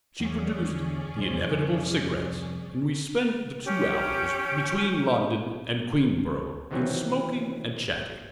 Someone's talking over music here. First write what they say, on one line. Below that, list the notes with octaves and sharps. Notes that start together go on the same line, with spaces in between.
She produced the inevitable cigarettes, and we spent the two hours between London and Queenborough in smoking and chatting.
E2 C#4 G#4 D5
E2 D3
C2 F2 C5
C#4 G4
C3 D#3 E3 F#3 C4 C#4